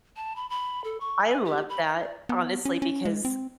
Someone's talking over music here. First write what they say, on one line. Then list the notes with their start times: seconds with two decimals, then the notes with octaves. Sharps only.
I love that, honestly, because,
0.17 A5
0.36 B5
0.50 B5
0.84 A4
1.01 C#6
1.22 G#5
1.45 G4
1.69 B5
1.83 A#5
1.99 D5
2.29 B3
2.65 C#4
2.82 C#4
3.05 G#3
3.25 C4